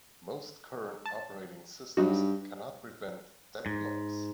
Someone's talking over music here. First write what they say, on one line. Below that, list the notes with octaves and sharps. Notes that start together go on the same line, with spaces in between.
Most current operating systems cannot prevent deadlocks.
A5
G2 F#3 D#4 F#4
G#2